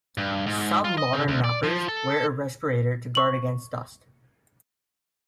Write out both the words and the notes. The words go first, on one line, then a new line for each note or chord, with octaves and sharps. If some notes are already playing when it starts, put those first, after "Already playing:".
Some modern knappers wear a respirator to guard against dust.
G2
G#2
F4
D#5
C#3
D2
D5
F3
A4
C#6 F#7